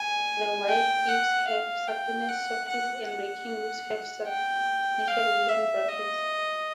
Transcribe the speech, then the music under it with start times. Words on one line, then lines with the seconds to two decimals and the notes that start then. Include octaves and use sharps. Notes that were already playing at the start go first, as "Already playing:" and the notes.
The wide eaves have stuccoed soffits and the raking eaves have substantial wooden brackets.
Already playing: G#5
0.68 G5
1.09 F#5
1.48 F5
1.88 G5
2.29 F#5
2.68 F#5
3.08 F#5
4.28 G5
5.08 F5
5.48 E5
5.89 D#5